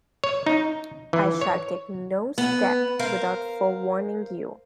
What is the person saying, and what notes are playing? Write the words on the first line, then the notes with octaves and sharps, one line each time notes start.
I shall take no step without forewarning you.
C#5
D#4
E3
C#5
B3
A#4 C5 F5